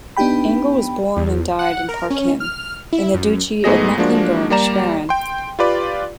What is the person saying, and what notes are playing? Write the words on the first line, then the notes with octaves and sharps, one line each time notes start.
Engel was born and died in Parchim, in the Duchy of Mecklenburg-Schwerin.
B3 D4 D#4 G4 G5 B5
E2
F#5
A#4
C#4
F6
E4
F#2
G#2 A3 B3 G#4 D#5 A#6
F3 G#3 A#3 D4 F#4
G3 A#3 G4 D5 A#5 E7
G5 C6
F4 G4 B4 D5